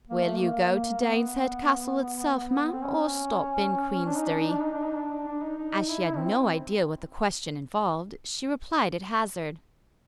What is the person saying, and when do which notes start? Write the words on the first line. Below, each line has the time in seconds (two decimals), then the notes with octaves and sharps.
"Will you go to Daneshead Castle itself, ma'm, or stop in Queensderry?" As she had no idea what the question involved, she replied at hazard.
0.09 A#3
0.24 A3
0.39 A#3
0.69 A#3
1.00 B3
2.72 C4
2.84 C#4
4.06 D4
4.17 D#4
4.28 D4
4.40 D#4
4.51 D4
4.62 D#4
4.73 D4
4.84 D#4
4.96 D4
5.27 D4
5.43 D#4
5.58 D#4
5.73 D#4
5.88 E4
6.04 E4
6.18 C4